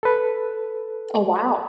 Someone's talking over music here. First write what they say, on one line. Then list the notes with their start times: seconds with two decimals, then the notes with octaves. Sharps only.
Oh, wow.
0.03 A4 B4